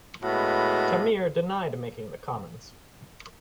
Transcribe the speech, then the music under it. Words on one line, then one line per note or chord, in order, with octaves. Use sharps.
Tamir denied making the comments.
A2 G#3 B3 F#4